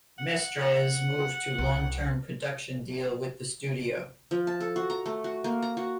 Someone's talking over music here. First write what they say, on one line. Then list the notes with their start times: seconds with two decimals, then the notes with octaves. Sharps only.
Mestres moved to long term production deal with the studio.
0.18 F#5
1.58 C2
4.31 F3
4.47 A5
4.60 A4
4.76 F#4
4.90 A#5
5.06 A3
5.24 F#4
5.44 A#3
5.62 A#5
5.77 F#4